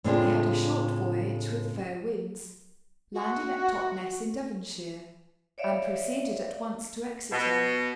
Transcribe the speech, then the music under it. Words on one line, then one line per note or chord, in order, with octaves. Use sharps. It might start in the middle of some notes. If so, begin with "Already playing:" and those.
They had a short voyage with fair winds, landing at Totness, in Devonshire, and proceeded at once to Exeter.
A2 C#3 G#3 C4 D4 F4
F#4
C#5 D5 E5 F5
B2